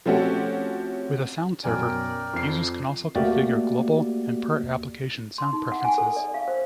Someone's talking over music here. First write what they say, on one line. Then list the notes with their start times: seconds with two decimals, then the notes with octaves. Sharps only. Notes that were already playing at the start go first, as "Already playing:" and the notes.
With a sound server, users can also configure global and per-application sound preferences.
0.06 F3 A3 C4 C#4 F#4 G4
1.64 B1 F#2 A#4 D5 G5 G#5
2.33 F2 C7
3.15 A3 A#3 F#4 G4 D5
5.38 C6
5.53 D#4
5.72 F#5
5.85 G#5
5.98 A4
6.16 D5
6.34 F5
6.48 C5